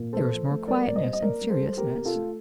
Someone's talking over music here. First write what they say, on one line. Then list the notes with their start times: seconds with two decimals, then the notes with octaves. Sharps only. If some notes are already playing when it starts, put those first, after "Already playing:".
There is more quietness and seriousness.
Already playing: A#2
0.13 F3 A4 C5
0.31 F3
0.50 A3
0.67 G3 A#4 D5
0.86 A#2 D5
0.95 C5 D#5
1.04 G3
1.13 D#5
1.22 A#3 A#4 D5
1.41 G3
1.50 A4 C5
1.60 G3
1.77 A3 G4 A#4
1.96 C3 G4
2.05 F4 A4
2.15 A3